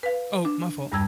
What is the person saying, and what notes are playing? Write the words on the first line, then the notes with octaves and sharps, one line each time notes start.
Oh, my fault.
B4 F5
D4
E2 G2 G3 A5 E6 G#6